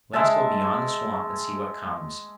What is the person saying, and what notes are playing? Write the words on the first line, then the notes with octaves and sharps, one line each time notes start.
Let us go beyond the swamp and see what comes.
G#3 E5 A5